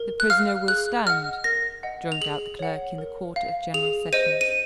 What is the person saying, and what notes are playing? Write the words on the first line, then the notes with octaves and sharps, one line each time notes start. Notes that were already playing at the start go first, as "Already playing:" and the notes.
"The prisoner will stand," droned out the clerk in the Court of General Sessions.
Already playing: A#4
F#6
F5 F6
G#4 F#6
D#5 F#5 F6
A#4 A#6
D#5 F#5
F7
G#4 F#7
C#5 F#5
A#4
F5
G#4 F7
C5 D#5 D#7
D#7